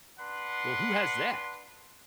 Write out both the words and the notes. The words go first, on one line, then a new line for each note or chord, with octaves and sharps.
Well, who has that?
D4 B4 F#5 C6